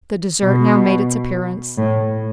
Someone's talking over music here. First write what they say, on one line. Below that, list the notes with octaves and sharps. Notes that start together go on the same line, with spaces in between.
The dessert now made its appearance.
B2
A2